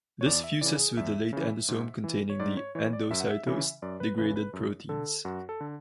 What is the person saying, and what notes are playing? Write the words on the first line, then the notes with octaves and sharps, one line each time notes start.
This fuses with a late endosome containing the endocytosed, degraded proteins.
C#5
E2 D5
E5
C#3 E3 D5
G#4
E2 E5
C#3 E3
G#2
E3
C#5
G#2 D5
C#5
E3 C#5
D5
F#2 E5
F#5
E5
C#3 E3 E5
F#2 D5
B4
C#3 E3 B4
B4
F#2
D3 A4
F#2 F#4
A4
D3